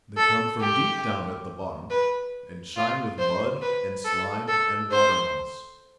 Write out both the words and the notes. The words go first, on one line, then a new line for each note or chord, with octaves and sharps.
They come from deep down at the bottom, and shine with mud and slime and water-moss.
A4
G4
B4
F4
C5
B4
A4
A4
C5